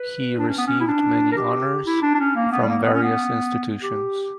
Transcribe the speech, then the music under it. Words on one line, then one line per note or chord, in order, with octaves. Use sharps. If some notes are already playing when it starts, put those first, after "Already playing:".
He received many honours from various institutions.
Already playing: B4
D4
C#4
B3
C#4
E4
D4
A#4
G4
E4
D4
D4
C#4
A#3
B3
G3
A#3
B3
C#4
B3
G4